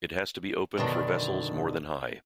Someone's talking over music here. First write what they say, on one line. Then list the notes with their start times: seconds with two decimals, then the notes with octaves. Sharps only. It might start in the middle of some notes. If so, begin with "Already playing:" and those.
It has to be opened for vessels more than high.
0.77 F#2 B2 D3 D#3 D4